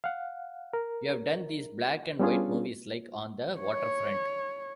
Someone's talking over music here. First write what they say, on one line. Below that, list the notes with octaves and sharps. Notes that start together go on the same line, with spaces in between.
You've done these black-and-white movies like "On the Waterfront".
F5 F#5
A#4
G3 B3 C#4 D4 F4 G#4
C#5